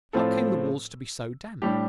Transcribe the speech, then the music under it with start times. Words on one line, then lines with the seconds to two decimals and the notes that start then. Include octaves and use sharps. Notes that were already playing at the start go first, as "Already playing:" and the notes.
How came the walls to be so damp?
0.13 A2 F3 C4 F4 A4
1.62 A2 G3 D4 G4